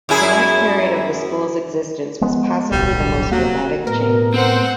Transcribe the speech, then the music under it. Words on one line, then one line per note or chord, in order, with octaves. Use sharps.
The last period of the school's existence was possibly the most dramatic change.
F#2 E4 G#4
F3 G#3 B3
D1 B1 G3
F#3 A#3
A2 B3 A#4
C4 C5 F#5